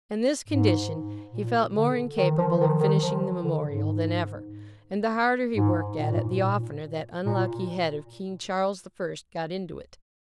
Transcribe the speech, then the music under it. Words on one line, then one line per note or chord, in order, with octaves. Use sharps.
In this condition, he felt more incapable of finishing the Memorial than ever; and the harder he worked at it, the oftener that unlucky head of King Charles the First got into it.
G#2
A#2
D3
D#3
F3
D#3
D#3
F3
D3
G#2
G#2
A#2
G#2
A#2
A#2